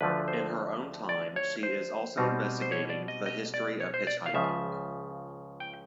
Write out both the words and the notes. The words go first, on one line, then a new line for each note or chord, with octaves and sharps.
In her own time, she is also investigating the history of hitchhiking.
D2 D3 F3 A3 B4
C5
D5
C#5
C5
B2 G3 C4 D#4
C5
C#5
D5
D#5
D#5
D5
C#5
C5
D5
F5
C#2 C#3 F3 E5
G5